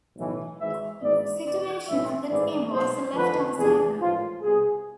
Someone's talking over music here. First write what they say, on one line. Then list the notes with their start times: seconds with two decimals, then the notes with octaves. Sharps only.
The situation of the team was left uncertain.
0.16 B1 A2 E3
0.58 G#1 G#2 E3 E5
1.01 G#1 G#2 E3 D5
1.43 E2 B2 D5
1.87 B1 A2 E3 E5
2.29 A1 G#2 E3 D5
2.71 B1 B2 C5
3.14 F2 D3 F3 B4
3.57 E2 C3 F3 G#4
3.98 A1 G#2 F3 F4
4.41 C2 B2 G#4